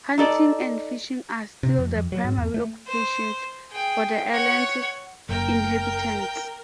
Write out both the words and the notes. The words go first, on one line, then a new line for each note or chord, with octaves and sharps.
Hunting and fishing are still the primary occupations for the island's inhabitants.
D#4 A4 D5
C3
F2
F2
F#3
G#2
E2
A3
C5
G#4 G5
C#5 F#5
F#1 A#4 G5